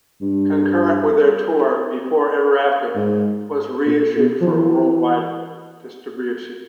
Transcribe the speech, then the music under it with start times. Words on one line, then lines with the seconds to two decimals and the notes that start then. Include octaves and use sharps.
Concurrent with their tour, "Before Ever After" was reissued for worldwide distribution.
0.21 G2
2.95 G#2
3.86 A#2
4.17 B2
4.41 F3
4.47 E3